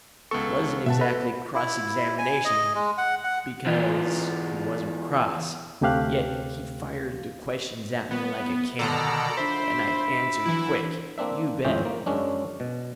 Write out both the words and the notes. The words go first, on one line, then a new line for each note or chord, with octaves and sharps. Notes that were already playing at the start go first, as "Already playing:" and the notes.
It wasn't exactly cross-examination, because he wasn't cross, yet he fired the questions at me like a cannon, and I answered quick, you bet.
C#2 B3 A4 C#6
B2 E5 F#5 A5
A4 B4
E4
G#5
D#5
G#3
F#5
F#5
E2 F4
D2 C3 A3 G4 F5 F#6
G3 B3 E5 C#6
B2 D3 D#3 A4 D5 A#5
D4 F4 C5 E5 B5 D6
E3 F#3 E4
A#3 C4 D4 E5
G#1 F2 A2 C4 C#4 G5
A#3
F#2 G#3 C#4 D4
B2